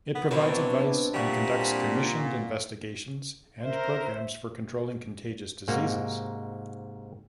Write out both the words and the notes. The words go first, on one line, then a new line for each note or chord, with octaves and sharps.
It provides advice and conducts commissioned investigations and programmes for controlling contagious diseases.
B3
B2 F#3 B3 C4 D4 E4
A#2 G3 E4 F#4
A#4 C5 E5
G#2 C3 A#3 D#4 F#4